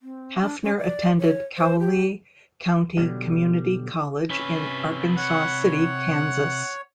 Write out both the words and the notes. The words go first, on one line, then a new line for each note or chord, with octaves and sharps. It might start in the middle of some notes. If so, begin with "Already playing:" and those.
Hafner attended Cowley County Community College in Arkansas City, Kansas.
C4
D4
C#4
D5
C#5
C5
G4
B2 D3 D#3 F#3 G3
C3 C#4 B4
C#5 F#5
F#5